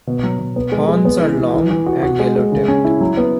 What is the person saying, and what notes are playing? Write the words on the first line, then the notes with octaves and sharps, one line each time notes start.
Horns are long and yellow-tipped.
B2
F#3
B2
B3
G#3
G#3
B3
E3
E3
E3
E3
F#4
F#4
G#3
G#3
C#3
C#4
E4
F#3
B3